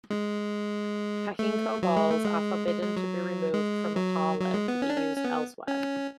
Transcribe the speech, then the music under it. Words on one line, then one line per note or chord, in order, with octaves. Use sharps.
Pachinko balls are forbidden to be removed from a parlor to be used elsewhere.
G#3
A3
F#3
G#3
A3
G#3
G#3
G#3
F#3
G#3
F#3
F#3
G#3
B3
C#4
D4
C#4
C#4
B3
C#4